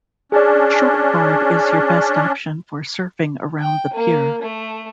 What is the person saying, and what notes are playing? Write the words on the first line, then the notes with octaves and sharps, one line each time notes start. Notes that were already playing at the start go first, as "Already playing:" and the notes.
Shortboard is your best option for surfing around the Pier.
C#4 D4 G#4 D5
G5
A#3
A3